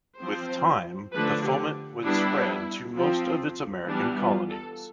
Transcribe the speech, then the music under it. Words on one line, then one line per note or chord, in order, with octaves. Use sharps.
With time the foment would spread to most of its American Colonies.
F3 C4 C5
D3 F3 A3 D4 B4
G4
G3 B3 D4 E4
F3 C4
E3 G3 B3 D4
F4
A4